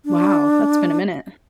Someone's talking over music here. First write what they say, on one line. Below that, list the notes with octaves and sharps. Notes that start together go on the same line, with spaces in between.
Wow, that's been a minute.
D4